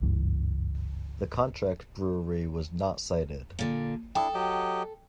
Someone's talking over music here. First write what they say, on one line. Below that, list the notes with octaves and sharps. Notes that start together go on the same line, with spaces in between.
The contract brewery was not cited.
F#1 C#2 G2 E3
A#2 D3
D4 E4 A4 G5 D#6
F#3 G4 D#5